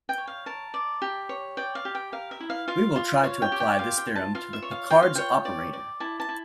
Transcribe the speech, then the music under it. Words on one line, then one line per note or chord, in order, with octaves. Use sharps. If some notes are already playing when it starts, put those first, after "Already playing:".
We will try to apply this theorem to the Picard's operator.
G5
C#5
F5
A#4 A5
D5
G4
C#5
D5 G5
F5
G4
G5
A#4 F5
E5
E4
F5
F4 F5
F4
C#5 F5
G5
G4
G5
F4 F5
G5
F4
A5
F4 F5
E5
C#5
F5
F4 G5
F5
C#5 G5
D5
D5
E4 A5
A5
E4